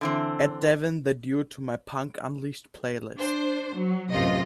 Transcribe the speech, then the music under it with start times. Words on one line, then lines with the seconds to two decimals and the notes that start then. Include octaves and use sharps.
Add devin the dude to my punk unleashed playlist.
0.01 D3 E3 C4
3.18 D4 C5
3.74 F#3
4.12 A1 F#2 C3 F4 D#5